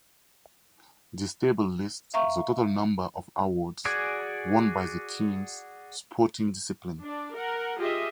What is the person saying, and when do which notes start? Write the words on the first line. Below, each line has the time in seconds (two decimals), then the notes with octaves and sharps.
This table lists the total number of awards won by the teams sporting discipline.
2.14 E5 F5 A#5 C#6
3.85 F#4 G#4 D5 G#5
7.03 D4 D5
7.35 A#4 F#5
7.78 F4 G4 G#4 D#5 E5